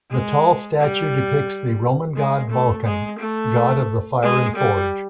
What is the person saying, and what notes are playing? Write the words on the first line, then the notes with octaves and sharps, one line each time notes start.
The tall statue depicts the Roman god Vulcan, god of the fire and forge.
G#3
G3
G#3
A3
G#3
A3
G#3
G3